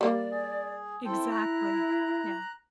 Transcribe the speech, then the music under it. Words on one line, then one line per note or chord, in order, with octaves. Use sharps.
Exactly. Yeah.
G3 A#3 D5
G#4
C4 E4 A4 G5
A#5 F#6